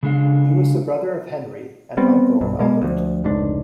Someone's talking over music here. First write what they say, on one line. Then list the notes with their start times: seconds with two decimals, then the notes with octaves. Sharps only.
He was the brother of Henry and uncle of Albert.
0.03 C#3 G#3 D4 A4 F5
1.97 G3 B3 C4
2.41 B1 G2
2.59 B2 G#3 A#3
2.82 D2 F3
3.24 F1 C#2 G#2 D4